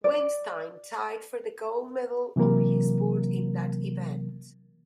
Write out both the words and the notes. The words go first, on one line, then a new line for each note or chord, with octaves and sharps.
Weinstein tied for the gold medal on his board in that event.
D5
C3 E3 F#3 A#3 A#4